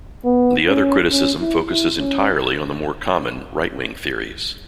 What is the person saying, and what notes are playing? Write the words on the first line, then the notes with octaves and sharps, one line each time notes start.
The other criticism focuses entirely on the more common, right wing theories.
B3
C#4
C#4
E4
E4
C#4